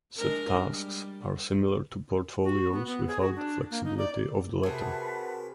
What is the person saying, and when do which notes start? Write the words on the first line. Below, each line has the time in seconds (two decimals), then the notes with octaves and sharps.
Set tasks are similar to portfolios without the flexibility of the latter.
0.17 G#3 D4 A#4
0.66 G3
2.44 F#4
2.72 B3
2.86 B3
3.08 G#4
3.21 F#4
3.36 D4
3.71 A#3
3.84 D#4
3.98 D5
4.63 C3 F#4 G#4 A#4 B4 F#5 A5